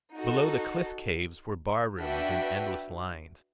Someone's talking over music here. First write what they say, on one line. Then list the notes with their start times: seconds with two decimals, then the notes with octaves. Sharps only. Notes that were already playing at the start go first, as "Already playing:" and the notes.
Below the cliff caves were bar rooms in endless lines.
0.15 D#4 F#4 A4
2.00 D4 F#4 B4 E5 G5